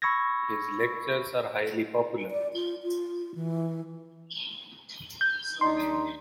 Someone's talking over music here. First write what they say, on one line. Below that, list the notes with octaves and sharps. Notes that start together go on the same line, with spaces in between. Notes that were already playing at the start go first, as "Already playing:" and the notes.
His lectures are highly popular.
B5 C#6 E6 G#6 A#6
D5
F4
F4
E3
G6
D#2 D4 D#4 C6